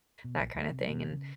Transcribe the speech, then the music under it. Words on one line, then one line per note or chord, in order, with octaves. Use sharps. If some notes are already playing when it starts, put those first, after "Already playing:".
that kinda thing, and
B2
A#1
D2
C3
B2
C#3